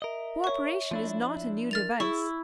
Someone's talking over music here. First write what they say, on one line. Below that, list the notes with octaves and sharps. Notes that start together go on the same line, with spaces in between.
Co-operation is not a new device.
A#4 D#5 E5
C#5 C#6
F3 D4 E4
A#4 F6 A6 F7
E4 G#4 C#6